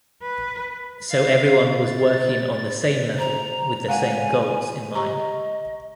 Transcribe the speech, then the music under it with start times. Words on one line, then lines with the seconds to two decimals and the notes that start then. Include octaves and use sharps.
So everyone was working on the same level with the same goals in mind.
0.22 B4
1.10 F5
1.85 A6
3.18 C5 A#5
3.88 G#3 F5 F#5 G#5
4.95 G4 D#5 A#5 C#6